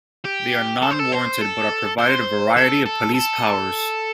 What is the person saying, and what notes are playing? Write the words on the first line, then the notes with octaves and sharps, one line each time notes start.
They are non-warranted but are provided a variety of Police powers.
G4
A4
C5
A4
C5
A4
C5
A4
A4
A4